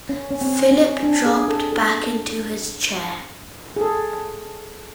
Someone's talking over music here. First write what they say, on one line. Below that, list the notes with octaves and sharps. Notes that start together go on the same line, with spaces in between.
Philip dropped back into his chair.
C#4
C#4
C4
C#4
D4
G#4
A4
A4
G#4
A4